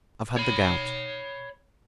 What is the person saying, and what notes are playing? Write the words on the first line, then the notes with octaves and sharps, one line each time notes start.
I've had the gout.'
C#5 B5